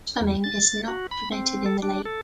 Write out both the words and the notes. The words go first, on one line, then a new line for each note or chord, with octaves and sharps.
Swimming is not permitted in the lake.
E2
A6
F#4
B5
C4
A4
D4
A4